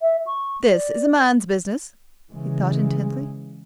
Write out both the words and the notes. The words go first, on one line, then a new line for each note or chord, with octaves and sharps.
"This is a man's business." He thought intently.
E5
C#6
D5
C#3 E3 G#3